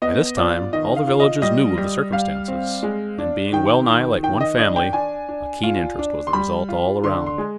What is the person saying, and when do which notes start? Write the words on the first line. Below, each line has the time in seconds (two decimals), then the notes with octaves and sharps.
By this time all the villagers knew of the circumstances, and being wellnigh like one family, a keen interest was the result all round.
0.02 B3 D#5
0.37 F4 D5
0.73 D#3 D#5
0.96 F5
1.07 F4
1.20 D#5
1.42 G3 D#5
1.78 G3
2.12 G3 F5
2.48 C4
2.83 G#3
3.18 D4
3.52 D#3 G5
3.88 D#3
4.23 D#3 G5
4.41 D#5
4.58 D4 D#5
4.76 G5
4.93 D4 G#5
5.29 D4
5.64 F4
5.99 D4
6.27 C6
6.33 G3 B5
6.69 F4
7.04 D3 C6
7.26 C6
7.38 G#3